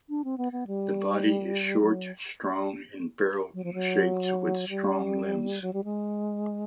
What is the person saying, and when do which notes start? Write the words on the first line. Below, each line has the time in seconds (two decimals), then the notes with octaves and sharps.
The body is short, strong and barrel-shaped, with strong limbs.
0.09 D4
0.24 C4
0.38 B3
0.52 B3
0.67 G3
1.81 F#3
3.54 F#3
3.64 F3
3.74 F#3
4.69 G3
5.62 F#3
5.73 G3
5.84 G#3